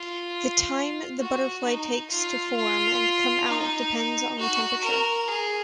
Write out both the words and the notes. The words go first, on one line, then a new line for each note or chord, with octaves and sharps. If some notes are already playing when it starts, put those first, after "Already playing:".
The time the butterfly takes to form and come out depends on the temperature.
Already playing: F4
F#4
D#4
F4
F4
D#4
F#4
A#4
G#4